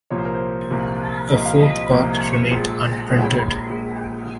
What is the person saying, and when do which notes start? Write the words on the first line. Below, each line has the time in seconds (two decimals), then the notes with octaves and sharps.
A fourth part remained unprinted.
0.10 C2 A#2 F3 A#3 C#5
0.18 C5
0.25 A#4
0.34 C5
0.70 C2 A#2 F3 A#3
1.30 C2 A#2 F3 A#3 D#5
1.46 F5
1.60 D#5
1.76 D#5
1.90 C2 A#2 F3 A#3
2.51 A#1 A#2 G#3
3.10 A#1 A#2 G#3 C#5
3.70 A#1 A#2 G#3